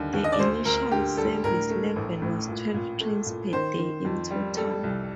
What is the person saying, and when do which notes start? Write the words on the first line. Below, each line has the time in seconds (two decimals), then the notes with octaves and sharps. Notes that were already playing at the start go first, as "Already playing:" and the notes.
The initial service level was twelve trains per day in total.
Already playing: D#2 D3 G3
0.13 D#2
0.24 D#5
0.32 D5
0.39 D2 C5
0.65 D2 A#4
0.91 D3 G4
1.17 G3 A4
1.44 A2 A#4
1.70 A3
1.96 A1
2.22 A2
2.48 A#2
2.74 A#2
3.00 A3
3.26 A#2
3.53 D#3 C5
3.78 D#3
4.05 F2
4.30 G3
4.57 G3 A4
4.83 C2